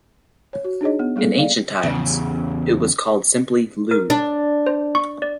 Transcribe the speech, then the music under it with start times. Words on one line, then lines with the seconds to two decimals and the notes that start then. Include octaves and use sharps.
In ancient times it was called simply "Loon".
0.53 C#5
0.64 F#4
0.81 D4 D#4 G#4 C#5 D#5
0.99 B3
1.16 G3 A#3 B3 G#4 A4
1.38 D5 D#5 F5
1.84 E2 C#3
3.91 A#4
4.10 D4
4.66 C5
4.95 C#6
5.22 D5